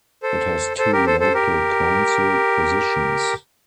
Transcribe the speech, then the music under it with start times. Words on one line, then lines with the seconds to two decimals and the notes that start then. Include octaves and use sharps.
It has two local council positions.
0.23 A4 C5
0.78 A4 C5
0.93 G4 A#4
1.06 A4 C5
1.20 A4 C5
1.34 G4 A#4